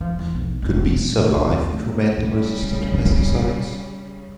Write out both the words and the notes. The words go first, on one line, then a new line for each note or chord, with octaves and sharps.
Could bees survive if we made them resistant to pesticides?
F3
E2
B1
E1
B1
A#2
D2
A3
C#3 G3